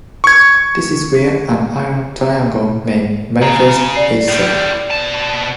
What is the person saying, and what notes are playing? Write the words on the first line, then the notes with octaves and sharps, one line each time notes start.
This is where an iron triangle may manifest itself.
C#6 G#6
C#3 A#5
D5 C7
A2 G3
B2 A5